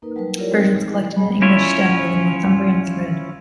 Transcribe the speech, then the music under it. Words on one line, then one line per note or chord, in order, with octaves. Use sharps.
Versions collected in England stem from the Northumbrian thread.
A#3 D#4 A#4 B4
F#3 G3 A#4 B4
E4 F4 G4 A#4 C#5 D5
G3 C4 D#4 A4
F#3 G#3 E4
G3 G#3 G#4 D#5 G#5 B5
C#4 E4 F4 C#5